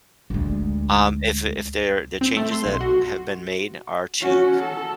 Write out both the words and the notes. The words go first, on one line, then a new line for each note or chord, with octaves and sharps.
um, if if they're the changes that have been made are to
D2 G#3
C4
A3
C6
B1
F#4
C#4 F#4
A4